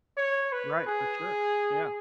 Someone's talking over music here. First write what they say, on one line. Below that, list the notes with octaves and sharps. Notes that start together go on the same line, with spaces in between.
Right, for sure. Yeah.
C#5
B4
G#4